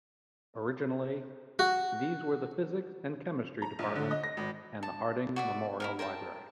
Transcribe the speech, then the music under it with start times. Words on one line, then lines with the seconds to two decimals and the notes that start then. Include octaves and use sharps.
Originally these were the physics and chemistry departments, and the Harding Memorial Library.
1.59 F#4
3.62 A#5
3.79 A#1
3.96 D3
4.11 D#5
4.24 A#6
4.37 G#1
4.83 A5
5.36 F#4 D5 E5
5.80 E4 G4 A#4
5.99 A#4 C5 G5 A5